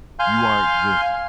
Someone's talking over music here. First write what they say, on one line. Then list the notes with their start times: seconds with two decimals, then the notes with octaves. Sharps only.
you aren't just,
0.19 F5 G#5 C6 F6 G6